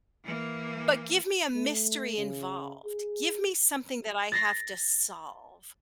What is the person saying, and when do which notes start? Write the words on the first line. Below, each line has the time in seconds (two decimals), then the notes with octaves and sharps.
But give me a mystery involved, give me something that I have to solve.
0.24 E3 A#3
1.55 A3
2.17 C#3
2.85 G#4
4.32 A6 A#6 C7